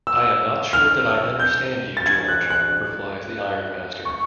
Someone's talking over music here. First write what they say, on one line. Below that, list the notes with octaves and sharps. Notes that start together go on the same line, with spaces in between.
"I am not sure that I understand you, George," replies the ironmaster.
E6
F6
G6
A6
G#6
F#6
F#6
C#6